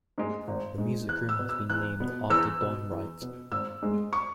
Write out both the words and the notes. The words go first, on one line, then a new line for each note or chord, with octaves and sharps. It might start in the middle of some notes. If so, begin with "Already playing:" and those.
The music room has been named after Don Wright.
G#2 G#3
G#1
G#2 G#3
E2 F#6
E6
B2 B3
E6
E2 F#6
B2 B3
E2 E6
B2 B3
E2
B2 B3
G#1 E6
G#2 G#3
C#6